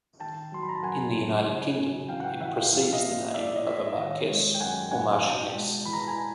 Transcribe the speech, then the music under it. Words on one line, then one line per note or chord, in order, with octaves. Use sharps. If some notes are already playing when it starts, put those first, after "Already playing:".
In the United Kingdom, it precedes the name of a marquess or marchioness.
D#3 G5 A5
F#3 C6
B5
A#5
A5
F#2 F#5 G#5
F#2
C#3
F#3
E2 F5 G5
F#5
F5 G5
E2 E5 F#5
F5 G5
F3 F5
E5
D#5 F5
A#3
A2 D5 E5
C#5 D#5
A2 E5
C#5 D#5
D#3 C#5 D#5
G#3
G5
F#2 F#5 G#5
F#2 F#5 G#5
B2 G5 A5
G#3
E2 B5
A#5
A5
G#5 A#5